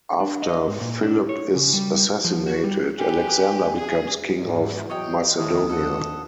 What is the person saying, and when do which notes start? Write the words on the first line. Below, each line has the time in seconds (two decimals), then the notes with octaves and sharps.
After Philip is assassinated, Alexander becomes King of Macedonia.
0.20 D4
0.42 D#5
0.67 G#2
0.81 A#2
1.03 D4
1.29 C#5
1.55 C#3
1.73 G3
2.24 F3
2.47 F#4
2.64 G3
2.98 G4 B4 G#5
3.76 G#4
4.37 E2 G#2
4.90 E2 F#3 C#5 D#5 G5
5.38 D#2 A2 D#6
5.69 D2 A4 F#5